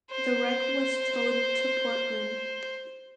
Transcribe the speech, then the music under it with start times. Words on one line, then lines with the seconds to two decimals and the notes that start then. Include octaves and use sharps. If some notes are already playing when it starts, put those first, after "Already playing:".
The wreck was towed to Portland.
0.11 C5